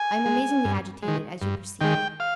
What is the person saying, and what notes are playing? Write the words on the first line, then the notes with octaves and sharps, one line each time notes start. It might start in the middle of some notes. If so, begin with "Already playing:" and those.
I am amazingly agitated, as you perceive.
Already playing: G#5
G#3
G2
G#3
D#3
G2
D#3 G#3 G5
F5